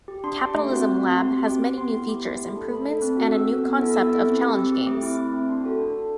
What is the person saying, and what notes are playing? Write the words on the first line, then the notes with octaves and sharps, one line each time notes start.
"Capitalism Lab" has many new features, improvements and a new concept of challenge games.
G4
D4 C6
G4 D6
A3 C6
C4 F#4
A3
C4 F#4
C4 C6
G4
C4 D6
G4
B3 C6
E4 G4
B3 D6
E4 G4 C6
A3
D4 A4
A3 B5
D4 A4
C4
F#4 A4
C4 E6
F#4 A4
B3
E4 A4
B3 E6
E4 A4 E6
C4
G4
C4
G4
A3 D6
C4 E4
A3 D6
C4 E4
D4 C6
F#4 A4
D4
F#4 A4